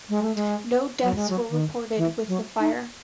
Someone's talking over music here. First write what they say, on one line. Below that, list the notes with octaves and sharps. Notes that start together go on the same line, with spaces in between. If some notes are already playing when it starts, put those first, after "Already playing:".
No deaths were reported with the fire.
G#3
A3
G#3
F#3
G#3
F#3
D#3
E3
F#3
D#4